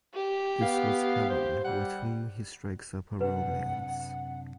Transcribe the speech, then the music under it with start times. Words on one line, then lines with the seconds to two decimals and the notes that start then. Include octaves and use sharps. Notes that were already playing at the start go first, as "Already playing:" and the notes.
This was Helen, with whom he strikes up a romance.
0.14 G4
0.62 B3 F5
1.30 C5
1.65 G3 F#5
3.21 F#2 C3 D4 B4 F#5